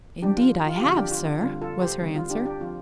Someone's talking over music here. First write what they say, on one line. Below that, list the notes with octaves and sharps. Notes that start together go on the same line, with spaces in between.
"Indeed I have, sir," was her answer.
F3 C4 D4 G4
F4
F4
G4
D3 F3 C4 F4
D4 G4
F4
D4
D3 G3 C4 F4
F4 A4
G4 C5
D3 G3 C4
F4
D4 G4
D4 G4
F3 C4 F4